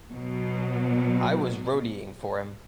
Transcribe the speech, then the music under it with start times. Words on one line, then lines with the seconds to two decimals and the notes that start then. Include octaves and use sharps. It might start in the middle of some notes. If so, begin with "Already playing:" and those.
I was roadieing for him!
0.11 B2 F#3